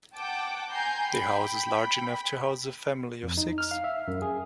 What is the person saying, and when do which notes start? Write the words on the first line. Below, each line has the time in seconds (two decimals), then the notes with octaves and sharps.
The house is large enough to house a family of six.
0.13 F#5 G5 A5 D6
0.71 G#5 A#5 C6 G6
1.08 G5 B5
3.23 F2
3.38 D#4
3.58 F6
3.71 F5
3.84 E5
4.08 F#2
4.22 G#4